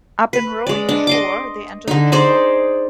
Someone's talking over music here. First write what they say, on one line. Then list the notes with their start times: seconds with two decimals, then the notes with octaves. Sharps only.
Upon rowing ashore, they enter the jungle.
0.33 B4
0.67 G#3 D5
0.89 D4
1.07 D#5 C6 D6
1.88 D3 D#4
2.12 D#4 G#4 C5 D5